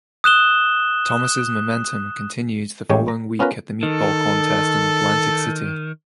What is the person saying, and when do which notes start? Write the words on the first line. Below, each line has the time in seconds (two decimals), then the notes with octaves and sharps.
Thomas' momentum continued the following week at a meatball contest in Atlantic City.
0.24 D#6 F#6 E7 G7
2.89 A1 A2 G#3 G4 C#5 G5
3.08 A#5
3.39 B3 C#4 F4 A#4 B4
3.83 D#3 A4